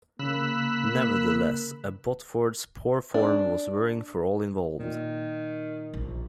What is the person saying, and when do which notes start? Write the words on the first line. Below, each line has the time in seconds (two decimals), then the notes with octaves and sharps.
Nevertheless, Abbotsford's poor form was worrying for all involved.
0.19 C#3 A#3 B5 E6 F#6
3.14 D4
4.79 A#2 D#3
5.94 A#1